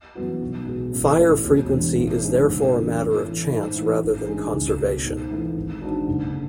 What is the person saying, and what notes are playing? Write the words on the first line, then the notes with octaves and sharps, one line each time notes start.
Fire frequency is therefore a matter of chance rather than conservation.
F#2 E3 B3 F#4
B1
B2 G#3
A1
A2 E3 A3 C#4
E1
E2 D3
A1
G#2 G#3 D4
F#1
E2 D3 A3 E4
A2
E3 A3 E4
G#2
E3 A3
A1
G#2 G#3 D4
C#2
B2 A3 C#4
G#2
E3 A3 E4
G#1
G#2 G#3 D4 F#4
F#1
D3